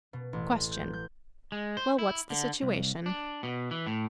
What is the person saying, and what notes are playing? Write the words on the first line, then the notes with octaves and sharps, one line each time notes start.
Question.--Well--what's the situation?
B2
A1
G6
G6
G#3
C5
E4
D3
C2
D4
B2
E3
A2